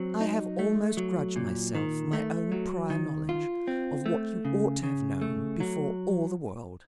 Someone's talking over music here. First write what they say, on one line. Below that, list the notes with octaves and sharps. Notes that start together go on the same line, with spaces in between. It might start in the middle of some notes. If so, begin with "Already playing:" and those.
I have almost grudged myself my own prior knowledge of what you ought to have known before all the world.
Already playing: F#3 C4
D#4
A3
F#3
A#2
D#3
A3
F#3
D#3
F4
C4
A3
C#3
C#3
A3
F#3